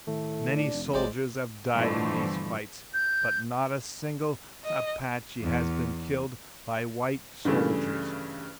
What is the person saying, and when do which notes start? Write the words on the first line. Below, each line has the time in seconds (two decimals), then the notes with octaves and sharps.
Many soldiers have died in these fights, but not a single Apache has been killed by white soldiers.
0.07 A2 D#3 A3
0.56 D4
0.73 F1
0.94 A1 F#3 G#3 C5 D5
1.73 G2 B2 D3 E3 F3 A3
2.94 G6
4.64 D#5
5.41 E2
7.45 G2 C#3 E3 A3